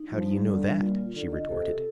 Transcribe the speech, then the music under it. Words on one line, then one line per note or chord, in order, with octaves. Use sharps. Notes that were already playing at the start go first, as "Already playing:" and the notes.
"How do you know that?" she retorted.
Already playing: D#4
F3 G3
G3
D3 D4
G3
A#2 F4
F4
D3 F4
D#5
C3 A4
F4